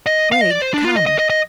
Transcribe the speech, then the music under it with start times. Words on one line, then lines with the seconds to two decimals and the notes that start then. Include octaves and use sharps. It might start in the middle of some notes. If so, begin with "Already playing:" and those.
"Gregg, come."
0.06 D#5
0.32 F5
0.41 D#5
0.50 D5
0.62 C5
0.74 D4
0.85 F4
0.96 D#5
1.07 D#5
1.19 D#5
1.30 D#5